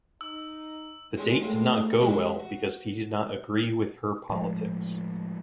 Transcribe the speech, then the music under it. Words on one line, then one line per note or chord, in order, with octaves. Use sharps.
The date did not go well because he did not agree with her politics.
D#4 E6
G#3 C4 C#4 D#4 G#4
A2 G#3 A#3 C4
F#2 E3 F#3 G#3 G4
F#4
A2 F3 G#3